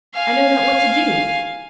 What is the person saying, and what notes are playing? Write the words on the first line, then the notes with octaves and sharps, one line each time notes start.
I know not what to do.
F5 G#5